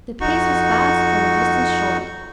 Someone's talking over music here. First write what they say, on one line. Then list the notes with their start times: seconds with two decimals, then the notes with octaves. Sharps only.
The pace was fast and the distance short.
0.21 F2 D#4 F#4 C#6